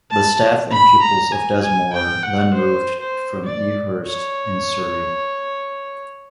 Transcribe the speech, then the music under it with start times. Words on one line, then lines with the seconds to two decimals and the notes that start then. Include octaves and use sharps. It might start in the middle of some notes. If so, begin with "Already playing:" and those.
The staff and pupils of Desmoor then moved from Ewhurst in Surrey.
0.11 A5
0.71 B5
1.02 A#5
1.32 G#5
1.62 G#5
1.93 G5
2.23 F#5
2.54 C5
3.00 C5
3.46 D5
4.06 C#5